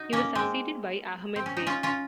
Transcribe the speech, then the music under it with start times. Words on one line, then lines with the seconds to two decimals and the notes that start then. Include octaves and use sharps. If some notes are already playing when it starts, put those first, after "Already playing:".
He was succeeded by Ahmed Bey.
Already playing: D#4 F#4
0.13 A#3 C#4
0.35 G#3 C4
1.36 C4
1.46 C#4
1.57 D#4
1.67 C#4 F4
1.83 C#4 F4